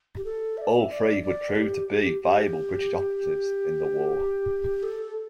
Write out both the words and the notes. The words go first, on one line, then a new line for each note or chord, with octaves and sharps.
All three would prove to be valuable British operatives in the war.
G4
A4
E5
D5
E5
D5
D5
G4
G4
G4
A4